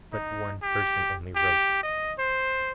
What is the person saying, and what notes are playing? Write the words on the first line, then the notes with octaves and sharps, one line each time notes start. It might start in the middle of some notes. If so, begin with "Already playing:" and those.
"But one person only wrote!"
D#4
G4
G4
D#5
C5